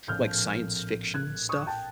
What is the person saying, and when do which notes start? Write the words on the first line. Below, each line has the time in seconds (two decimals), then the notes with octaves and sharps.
like, science fiction stuff?
0.07 A#1 A2 F3 G#3 C4 F6 G6
1.14 F#6 G#6
1.49 C#6 D#6
1.66 G5 A5